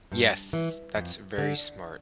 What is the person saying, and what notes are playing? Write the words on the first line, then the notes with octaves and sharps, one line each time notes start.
Yes. That's very smart.
G2
E3
F2
D3